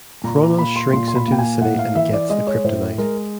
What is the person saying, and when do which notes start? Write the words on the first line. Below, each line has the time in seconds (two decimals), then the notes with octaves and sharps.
Chronos shrinks into the city and gets the kryptonite.
0.24 A#2 A#5
0.41 A#5
0.58 A#3 B5
0.76 C6
0.93 A#2 C6
1.08 C6
1.16 B5
1.28 A#3 G5
1.39 G#5
1.61 A2 F#5
1.79 F5
1.95 E3 E5
2.13 D5
2.30 G#3 D#5
2.47 C#5
2.64 A2 C5
2.98 G#3 A#4